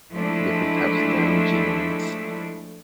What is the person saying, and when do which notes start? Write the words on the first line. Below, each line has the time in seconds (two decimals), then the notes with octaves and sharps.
different types of denim jeans.
0.13 F3 G#3 A3 D4 E4